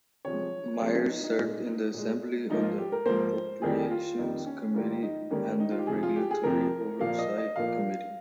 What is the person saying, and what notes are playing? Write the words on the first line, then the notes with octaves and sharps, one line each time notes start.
Myers served in the Assembly on the Appropriations Committee and the Regulatory Oversight Committee.
C3 F3 G#3 C#5
C3 F3 G#3 F4
C#4
D#4
D#4
A#2 G#3
A#2 G#3
G#2 F3 A#3 D#4
F4
G4
A#4
G#2 F3 A#3 C5
F2 D#3 G3 G#4
F4
F2 D#3 G3 D#4
C#4
G#2 D#3 G3 A#3 F4
D#4
G#2 D#3 G3 A#3 C#4
D#4
F4
G4
F2 C3 F3 G#4
F4
G4
G#4
F2 C3 F3 A#4
A#2 F3 A#3 F5
D#5
D#5
A#2 F3 A#3 F5